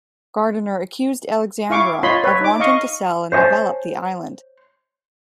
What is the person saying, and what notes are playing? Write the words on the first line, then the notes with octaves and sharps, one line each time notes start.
Gardiner accused Alexandra of wanting to sell and develop the island.
E4 F5 C#6 D6
F4 C#5 D#5 B5 C6
B4 C#5
D#4 D6
D#5 F5 C#6
C5 C#5 D#5 G#5 A5